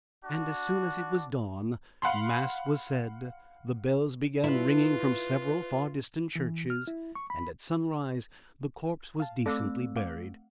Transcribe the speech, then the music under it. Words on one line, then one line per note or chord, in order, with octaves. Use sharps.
And as soon as it was dawn mass was said; the bells began ringing from several far-distant churches; and at sunrise the corpse was decently buried.
D4 F#4
F5 F#5 B5 C6
E4 F4 B4
E3
F6
E4
C#6
B5
F5 A5
A3 C4 A4 D5 D6 E6
F5 F#5 D6